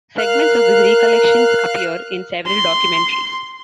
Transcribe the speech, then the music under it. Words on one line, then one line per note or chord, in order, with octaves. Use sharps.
Segments of his recollections appear in several documentaries.
A#4 F5 F6 F#6
C6